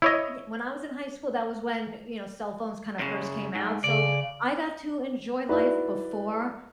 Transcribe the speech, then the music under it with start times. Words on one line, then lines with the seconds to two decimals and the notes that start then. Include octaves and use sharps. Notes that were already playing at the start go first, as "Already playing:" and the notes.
y when I was in high school that was when, you know, cell phones kind of first came out, so, I got to enjoy life before
0.02 E4 C#5 D#5
2.99 F#2 C#3
3.55 G#2
3.84 C#3 D5
5.49 D#4 E4 F#4 B4 D5